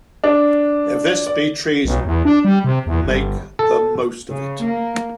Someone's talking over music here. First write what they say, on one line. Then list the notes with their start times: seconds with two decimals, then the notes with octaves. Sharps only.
If this be treason, make the most of it.
0.24 D4
1.27 D5
1.85 B1
2.05 E2
2.25 D4
2.44 G3
2.64 C3
2.87 E2
3.04 G1
3.59 A4
4.32 C#3
4.64 A#3